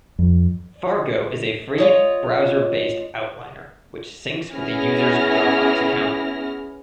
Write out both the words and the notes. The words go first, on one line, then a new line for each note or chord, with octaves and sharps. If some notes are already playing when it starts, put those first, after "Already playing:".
Fargo is a free browser-based outliner which syncs with a user's Dropbox account.
F2
F4 C#5 D#5
B3 C#4 E4 G#4 F6 A#6